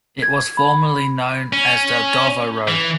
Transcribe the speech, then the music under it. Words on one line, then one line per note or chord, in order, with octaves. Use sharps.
It was formerly known as the Dover Road.
G#6
B5
C#4
E3